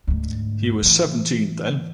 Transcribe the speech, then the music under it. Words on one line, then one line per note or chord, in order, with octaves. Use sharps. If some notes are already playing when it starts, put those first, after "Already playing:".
He was seventeen then.
D2 G#2
A2 E3